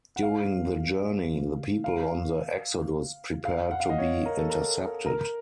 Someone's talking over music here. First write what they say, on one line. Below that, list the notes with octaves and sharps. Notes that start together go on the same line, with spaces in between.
During the journey, the people on the "Exodus" prepared to be intercepted.
F#5
F5
F5
F5
F#5
F5
D#5
C#5
A#4
A4
A#4
A#4